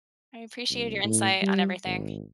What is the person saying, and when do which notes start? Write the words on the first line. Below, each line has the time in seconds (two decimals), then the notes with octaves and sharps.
I appreciate your insight on everything.
0.70 C2
1.04 A2
1.41 G3
1.85 G#1